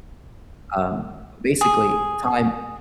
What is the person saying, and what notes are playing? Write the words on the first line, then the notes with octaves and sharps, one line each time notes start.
um, but basically, time
G#4